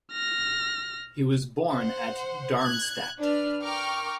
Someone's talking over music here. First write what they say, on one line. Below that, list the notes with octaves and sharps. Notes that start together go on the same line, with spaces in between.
He was born at Darmstadt.
F6 A#6
C5 F#5
F#6 G#6
D4 B4 F6
A#4 G5 C#6 D6 F6